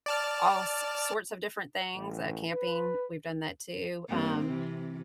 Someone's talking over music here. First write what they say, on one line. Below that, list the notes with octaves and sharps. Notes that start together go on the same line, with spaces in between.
all s sorts of different things. Uh, camping, we've done that too. Um,
D5 A5 F6
A1
B4
G2 A#3 C4
C3 E3